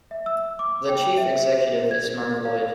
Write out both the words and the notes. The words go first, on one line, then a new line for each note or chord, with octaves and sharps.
The Chief Executive is Mark Lloyd.
E5
E6
D6
G5
E5
G#6
F5